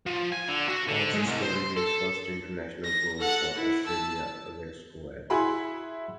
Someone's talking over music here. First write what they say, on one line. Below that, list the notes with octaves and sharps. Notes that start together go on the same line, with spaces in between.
Also scoring his first international goal for Australia against Kuwait.
F3
G#5
D3
F#4
D3
G#3
C2
C5
C6
A4
A#6
A4 F#5
E4
A5 E6
E4 F#4 G#4 E5 B5 C6